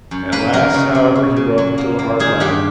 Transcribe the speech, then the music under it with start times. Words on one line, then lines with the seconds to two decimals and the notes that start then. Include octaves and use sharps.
At last, however, he broke into a hard laugh.
0.11 F#2
0.32 A#3 B4
0.53 F#3 A#4
0.74 C#3
0.95 C#3
1.15 C#3
1.36 C#3
1.58 F#3
1.78 A#3
1.99 A#3
2.19 D#3 G#4
2.40 G2 G4